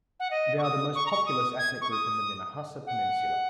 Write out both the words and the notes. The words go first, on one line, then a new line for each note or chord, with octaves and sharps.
They are the most populous ethnic group in the Minahassa Peninsula.
F#5
D#5
C#6
D#6
C#6
A#5
C#6
D#6
G#6
C#6
D#6
F#5